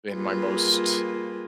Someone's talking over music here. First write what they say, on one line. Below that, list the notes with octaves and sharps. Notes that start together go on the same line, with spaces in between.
in my most
G3 A#3 F4 G#4 B4